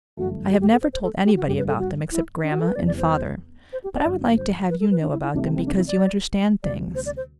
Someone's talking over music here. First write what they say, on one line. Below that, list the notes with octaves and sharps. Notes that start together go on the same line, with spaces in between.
I have never told anybody about them except grandma and father but I would like to have you know about them because you understand things.
G1 F#2 E3 A3 F#4
G4
G4
A4
C5
C5
A4
G4
F#4
G1 G2 D3 G3 G4
B4
A4
F#4
E4
D4
F#4
A4
B4
E2 C3 G3 B3 D5
D5
C5
C5
G4
D5
G1 G2 D3 F#3
C5
B4
A4
B4
D4
E4
E4
C2 C3 E3 A3 D4
C4
C4
D4
E4
D5
D2 C3 G3 D5
C5
D5
C5